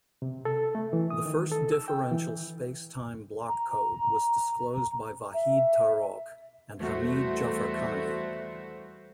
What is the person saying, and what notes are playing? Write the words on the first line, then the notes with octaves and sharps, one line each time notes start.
The first differential space-time block code was disclosed by Vahid Tarokh and Hamid Jafarkhani.
C3
A4
A3
E3
D#6
D#3
A4
E6
G5
E3
A#5
E5
E2 G3 A3 F#4 C5 E5